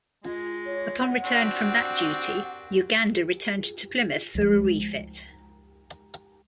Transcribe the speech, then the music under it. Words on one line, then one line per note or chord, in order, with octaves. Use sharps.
Upon return from that duty "Uganda" returned to Plymouth for a refit.
G#3 F4
C#5
F#5
C4 D4 F#4
C#2 F3 G#3